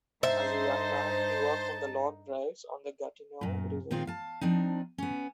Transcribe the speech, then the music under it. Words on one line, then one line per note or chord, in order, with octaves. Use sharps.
As a young man, he worked on the log drives on the Gatineau River.
G2 D#4 C5 E5 A5
F#2 A#2
A#2 D#3 G#3 C4 F4
F5 A5
F3 C4 D4 D#4
B3 C#4